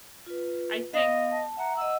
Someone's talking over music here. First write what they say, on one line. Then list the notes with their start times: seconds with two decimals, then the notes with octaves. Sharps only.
I think
0.26 F4 B4
0.93 B3 D#5 F5
1.31 A5
1.57 E5 F#5 A#5
1.77 D#5 F#5 E6